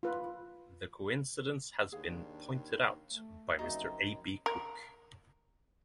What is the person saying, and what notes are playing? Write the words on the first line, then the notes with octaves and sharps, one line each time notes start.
The coincidence has been pointed out by Mr. A. B. Cook.
F4 B4
D#2 D#3 D4 G#4 F5
A3
A#1 F#2 C4 D#4 F#4 D5 E5
A#4